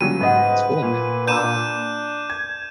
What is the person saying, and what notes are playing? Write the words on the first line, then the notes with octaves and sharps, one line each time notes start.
that's cool, man. Um
C#3 F#3 G3 D#7
G#2 D#4 B4 D#5 F#5
A#2
D4 A#5 B5 E6 G6 D#7 E7
G#6